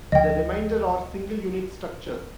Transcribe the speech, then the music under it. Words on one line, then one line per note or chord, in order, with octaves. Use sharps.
The remainder are single-unit structures.
D2 D3 F3 D#5 G5